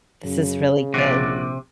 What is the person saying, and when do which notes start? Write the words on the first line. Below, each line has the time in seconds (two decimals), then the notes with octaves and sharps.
This is really good.
0.24 F#2 C#3
0.94 A#1 C3 F#4 D5